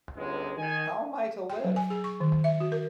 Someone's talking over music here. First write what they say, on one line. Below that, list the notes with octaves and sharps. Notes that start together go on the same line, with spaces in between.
How am I to live?
G1 C#2 G#3
D#3 G#5
G5
F#3
G#5
G#4
C#6
D#3
E5
F#4
A#4